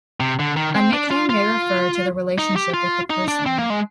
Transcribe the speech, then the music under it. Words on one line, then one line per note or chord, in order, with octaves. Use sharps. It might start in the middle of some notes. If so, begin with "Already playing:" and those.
A nickname may refer to the relationship with the person.
C3
D3
D#3
C4
D4
F4
F4
D#4
G4
F4
D#4
D4
C4
A#3
G#3